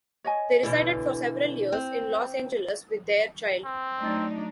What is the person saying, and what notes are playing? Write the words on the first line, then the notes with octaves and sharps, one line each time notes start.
They resided for several years in Los Angeles with their child.
C#5 D#5 G#5
B2 D3 E3
C4
C4
F#3 A3 D4 D#4 A6